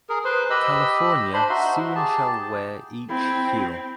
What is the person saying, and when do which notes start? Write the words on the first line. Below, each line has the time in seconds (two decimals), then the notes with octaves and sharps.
California soon shall wear each hue.
0.09 G#4 A#4
0.25 B4 C5 C6
0.50 G4 D#5 B5 E6
1.34 D4 C5 B5 C6
1.49 D#4 F#4 E5 C6
1.96 G4 G#4 A5
3.10 C4 E4